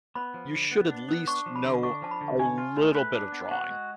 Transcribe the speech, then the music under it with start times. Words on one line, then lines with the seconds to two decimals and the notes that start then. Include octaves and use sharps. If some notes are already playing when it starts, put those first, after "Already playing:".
you should at least know a little bit of drawing,"
0.15 B3 B5
0.34 F3
0.53 D3
0.71 B3
0.90 D4
1.09 B3
1.28 D4 C#6
1.46 F3
1.56 B5
1.64 D3
1.83 D4 C#6
2.02 F3 A5
2.11 B5
2.21 D3
2.39 C#5 G#5
2.58 F4
2.76 A3
2.95 B4
3.13 D4
3.32 B3
3.51 F#4 F#5
3.70 G#3